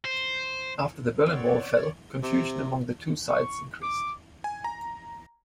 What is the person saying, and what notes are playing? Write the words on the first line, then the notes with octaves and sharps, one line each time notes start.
After the Berlin Wall fell, confusion among the two sides increased.
C5
B3 C4 C#5 D5
C3
C#6
D6
G#5
A#5